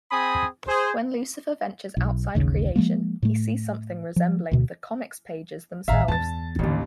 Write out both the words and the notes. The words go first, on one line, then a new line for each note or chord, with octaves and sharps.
When Lucifer ventures outside Creation, he sees something resembling the comics pages themselves.
C4 G#4 G#5 B5 D#6
G#4 C5
B1
A1 D#2 C#3
F3 F#3 G#3 A#3
A2 A3
F3
D2 B2
A1 D#3 E5 F5 A#5
E2 A5 A6
A1 D#2 D3